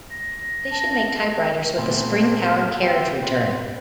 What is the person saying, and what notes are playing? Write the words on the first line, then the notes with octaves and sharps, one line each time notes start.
They should make typewriters with a spring-powered carriage return.
A#6
A5
A#2 A3 B3 C4
G4 B4 E5 G5 C6
B3 C4